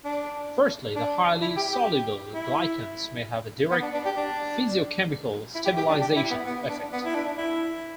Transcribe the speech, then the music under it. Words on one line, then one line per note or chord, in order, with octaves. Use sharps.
Firstly, the highly soluble glycans may have a direct physicochemical stabilisation effect.
D4
D4
E4
G4
G4
E4
B3
D4
D4
G4
D4
E4
G4
G4
D4
G4
E4
B3
B3
D4
B3
E4
D4
E4